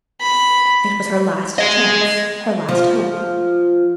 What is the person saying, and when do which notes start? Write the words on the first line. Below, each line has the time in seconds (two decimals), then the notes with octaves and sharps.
It was her last chance, her last hope.
0.21 B5
1.59 G#4 D#5
2.69 F3